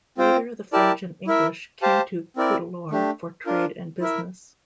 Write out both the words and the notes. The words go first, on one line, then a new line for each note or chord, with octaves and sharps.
Later, the French and English came to Cuddalore for trade and business.
C4 F4 C5 G5
E4 G4 A#4 D5 A5
E4 A#4 E5
G4 C5 F5 A5
C4 E4 A#4 D5
A3 D4 G4
D4 F4 A#4
E4 A#4 E5